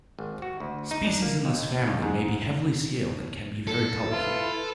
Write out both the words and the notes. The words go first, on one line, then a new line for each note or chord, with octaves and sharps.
Species in this family may be heavily scaled and can be very colourful.
G#1
F#4
D2
D#4
D4
A#3
D#2
D#2
G#2
A4
E4 F4 B4